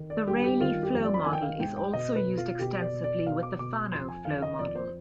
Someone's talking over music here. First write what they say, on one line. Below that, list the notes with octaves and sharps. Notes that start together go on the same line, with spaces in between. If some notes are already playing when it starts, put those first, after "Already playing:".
The Rayleigh flow model is also used extensively with the Fanno flow model.
Already playing: D#3
D5
G2 G4
G4
D#3 F4
G4
F2
D5
B5
D#3 G#5
G5
F5
G#2 G5
G5
B2 D#5
B4
B2
F4
B2 G4
D5
B2
D5
B2 F5
D6
B2 D6
F2 C6
G#5
D#3 F5
D#5
F2 D5
C5